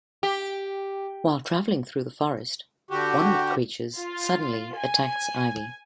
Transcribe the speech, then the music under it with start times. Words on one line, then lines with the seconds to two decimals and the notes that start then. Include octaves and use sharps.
While traveling through the forest, one of the creatures suddenly attacks Ivy.
0.23 G4
2.91 D3 F#4 G4
3.96 F4
4.75 G#5